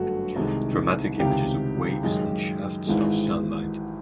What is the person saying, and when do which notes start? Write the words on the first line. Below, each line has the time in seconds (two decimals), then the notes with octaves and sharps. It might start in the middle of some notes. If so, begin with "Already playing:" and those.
Dramatic images of waves, and shafts of sunlight.
Already playing: G1 F#2 D3 F#3 A3 F#4
0.36 C2 C3 D#3 G#3
1.20 C#2 C3 D#3 G4
2.03 F#2 D#3 G#3
2.87 G#1 G#2 E3 G#3